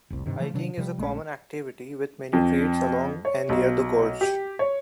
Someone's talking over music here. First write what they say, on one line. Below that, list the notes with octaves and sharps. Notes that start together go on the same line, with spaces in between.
Hiking is a common activity with many trails along and near the gorge.
F1 C2
G2 C3 D#3
C#3 E3 F3 A3
C3 D#3 F#3 D4
C3 F3 G3
A#1 G#3 A3 C#4
F2
C#5
B1
G4
C#5